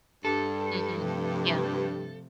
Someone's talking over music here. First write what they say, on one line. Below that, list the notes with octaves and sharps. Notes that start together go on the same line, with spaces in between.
Mhm. Yeah.
G2 A4
C3 F3 A3